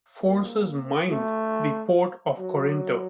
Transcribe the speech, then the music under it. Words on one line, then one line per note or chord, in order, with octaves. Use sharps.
Forces mined the Port of Corinto.
A#3
A3
F#3